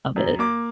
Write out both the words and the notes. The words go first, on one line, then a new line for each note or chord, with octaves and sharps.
of it.
F#2
A#3 D6